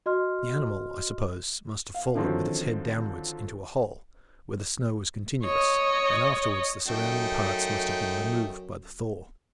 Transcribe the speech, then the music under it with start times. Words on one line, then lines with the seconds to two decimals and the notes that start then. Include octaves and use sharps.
The animal, I suppose, must have fallen with its head downward into a hole, when the snow was continuous, and afterwards the surrounding parts must have been removed by the thaw.
0.06 F#4 D#5 C6 F6
1.94 F5
2.15 D3 D#3 F3 F#3 C4 D4
5.45 C#5 D#5
6.88 F#2 A3 D#4 G5